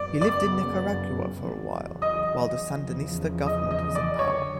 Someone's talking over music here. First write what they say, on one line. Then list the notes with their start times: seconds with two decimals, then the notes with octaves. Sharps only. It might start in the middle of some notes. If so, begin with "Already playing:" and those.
He lived in Nicaragua for a while, while the Sandinista government was in power.
Already playing: F#2 C#3 F#3 B3 D5 D6
0.21 D5 D6
1.30 E2 C#3 F#3
2.02 D#5 D#6
2.75 E2 C#3 F3
3.47 D#5 D#6
3.71 D#5 D#6
3.95 D5 D6
4.19 F2 D3 F#3 C#5 C#6